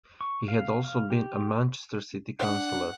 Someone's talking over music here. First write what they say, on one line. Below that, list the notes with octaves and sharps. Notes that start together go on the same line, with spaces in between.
He had also been a Manchester City Councillor.
C#6
F5
F5
G4
D4 F#5